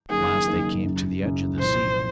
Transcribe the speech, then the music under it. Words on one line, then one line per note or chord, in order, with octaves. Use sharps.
At last they came to the edge of the sea.
F#1 F#2 D#3 A#3 D#4 G#4
F#1 F#2 D#3 A#3 D#4
F#1 F#2 C#3
F#1 F#2 C#3
C2 A#2 F3 C5